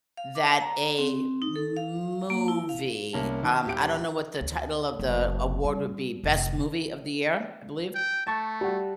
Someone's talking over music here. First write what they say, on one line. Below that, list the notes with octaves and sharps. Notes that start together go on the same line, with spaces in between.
that a movie, um I don't know what the title of the award would be, Best Movie of the Year, I believe?
F5
D6
A#5
C4
D#4
A4
F5
A#3
E4
F5
C2 A#3 C#4 A5
D#3
D#1 G4 D7
D2
F#1
G3
F1
G5
A3 A5 C#6
G3 F#4